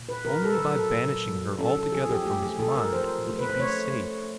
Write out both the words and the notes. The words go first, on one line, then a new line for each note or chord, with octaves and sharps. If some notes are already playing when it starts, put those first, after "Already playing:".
Only by banishing her altogether from his mind would he be safe.
Already playing: A#2
B4
B3 A#4
A4
B4
F#3 A#4
A4
A#2
F#3
C#4 A4
A4
F3 G#4
G4
A3 G4
G#4
F3 A4
A#4
F3 C5
A3
B4
C5
A3 C#5
A3